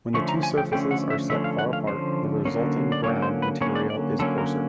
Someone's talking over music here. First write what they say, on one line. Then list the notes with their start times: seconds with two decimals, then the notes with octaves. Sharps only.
When the two surfaces are set far apart, the resulting ground material is coarser.
0.14 D3 F3 A3 C#4 C#6
0.28 A#5
0.43 G#5
0.58 G5
0.72 D3 F3 A3 C#4 G5
0.91 F#5
1.10 E5
1.30 D3 F3 A3 C#4 E5
1.44 F5
1.59 F#5
1.73 F5
1.87 D3 F3 A3 C#4 C5
2.45 D3 F#3 A#3 C#4
2.92 D5
3.03 D3 F#3 A#3 C#4 C#5
3.22 C5
3.42 B4
3.61 D3 F#3 A#3 C#4 C#5
3.75 D5
3.90 D5
4.19 D3 F#3 A#3 C#4 A4
4.38 A#4